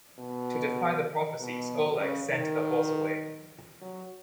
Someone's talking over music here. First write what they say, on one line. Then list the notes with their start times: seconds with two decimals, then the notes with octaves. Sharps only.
To defy the prophecies, Oleg sent the horse away.
0.19 B2
1.40 B2
2.00 C#3
2.30 D#3
3.81 F#3